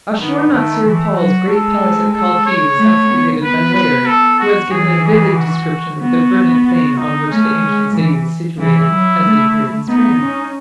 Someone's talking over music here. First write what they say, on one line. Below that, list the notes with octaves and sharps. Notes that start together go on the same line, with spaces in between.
Ashur-natsir-pal's great palace at Kalkhi was excavated by Layard, who has given a vivid description of the verdant plain on which the ancient city was situated, as it appeared in spring.
D#3 B3
D#3 A3
E3 A3
F#3 F#4
G#3 A4
A4
C#5
A3
B3
B3 B4
B4
A4
F#4
E3 G#4
G#4
F#4
B3 F#4
F#4
D#4
A3 C#4
G#3
E3
E3 E4
F#3
A3
B3 D#4
C#4